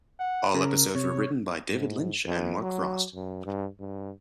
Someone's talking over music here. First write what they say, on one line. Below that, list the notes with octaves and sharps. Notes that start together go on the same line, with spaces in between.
All episodes were written by David Lynch and Mark Frost.
F#5
C#3 A#4
C3 C#5
G#2
F2
F#3
F#2
G2
G2